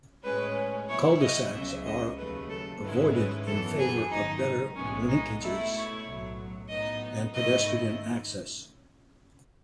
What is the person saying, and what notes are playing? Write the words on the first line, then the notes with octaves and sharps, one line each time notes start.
Cul-de-sacs were avoided in favour of better linkages and pedestrian access.
A2 G#3 C#4 B4
B2 F#3 B3 E4 C#5
D#5
C#2 C#3 F#3 E5
D#5
D#2 C#3 F#3 A3 B4
A4
G#2 D#3 G#3 C#4 E4 B4
B4
F#2 E3 B3 A4
G#4
G#1 F#2 D#3 F#3 D#4
B1 A2 E3 G#3 B3 C#4
D#4
B2 A3 E4
C#5
B1 A2 F#3
A2 F#3 B3 D#4 D#5
G#2 D#3 A3 E4 D#5